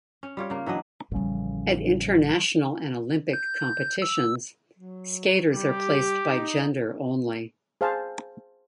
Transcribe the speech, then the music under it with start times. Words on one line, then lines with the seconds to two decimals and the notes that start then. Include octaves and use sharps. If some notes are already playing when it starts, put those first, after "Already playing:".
At International and Olympic competitions, skaters are placed by gender only.
0.23 C#4
0.37 G3 F4 C#5
0.50 C#3 A#3
0.66 E3 F#3 D4 D#5
1.11 A1 C#3 F3 G3
3.33 G6
4.02 E6
4.78 F#3
5.53 G3 G4
6.28 D#4
7.81 G#4 C5 F5 G#5 A5